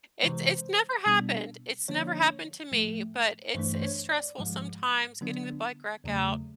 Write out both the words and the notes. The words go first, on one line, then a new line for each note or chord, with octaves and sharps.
it's it's never happened it's never happened to me, but it's it's stressful sometimes getting the bike rack out,
C3 E3 G#3 C5
B2 G3 B3 D4
D3 F3 A#3 D4 C#5
A2 F3 A3
G2 E3 A3 D4 C5
C5
C#5
D5
G#2 F3 G#3
D3 F#3 B3 D4
E2 C#3 F#3 A3